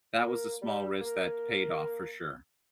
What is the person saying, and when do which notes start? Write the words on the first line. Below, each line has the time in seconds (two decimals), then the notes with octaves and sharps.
that was a small risk that paid off for sure.
0.22 A#3
0.62 G3
1.01 A#3